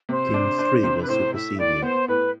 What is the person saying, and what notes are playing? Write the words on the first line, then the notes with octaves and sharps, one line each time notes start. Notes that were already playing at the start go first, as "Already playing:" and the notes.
Team three will supersede you.
C3 C5
D4
D4
C3
B4
A2 C5
A2 E5
A2 D5
B3 C5
A2 B4